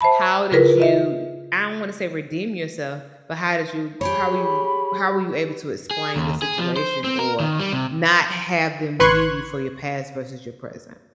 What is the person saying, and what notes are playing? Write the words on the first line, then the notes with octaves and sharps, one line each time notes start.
how did you I don't wanna say redeem yourself, but how did you how were you how were you able to explain the situation or not have them view you for your past versus your present?
C5 E5 A5 B5
C#3 E4 F4 G#4 A#4 B4
F4 D#5 E5
G4 G#4 C#5 B5
G#4
D#2
G#4
F3
C5
C4
A#4
D#3
G3
C3
A1 B4 C6 C#6 F#6 G#6